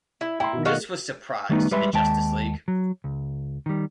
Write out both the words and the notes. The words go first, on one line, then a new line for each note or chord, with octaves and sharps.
This was surprise to the Justice League.
E4
E4 G5 A#5 C6
B2 D#3
F#4 D#5 F5
D#3 G3 A3 B3 C#4 D#4
G3 G#3 B4 E5 B5 C6
D#2 G#3 G5 A5
F#3
C#2
D#3 G3